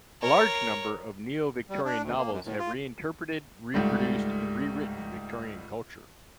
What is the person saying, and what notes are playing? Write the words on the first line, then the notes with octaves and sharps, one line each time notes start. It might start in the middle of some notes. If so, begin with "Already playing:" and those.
A large number of neo-Victorian novels have reinterpreted, reproduced and rewritten Victorian culture.
A#4 C#5
G3
D4
D2
A#3
F#2
A2
F4
C#2 G#2 G3 A3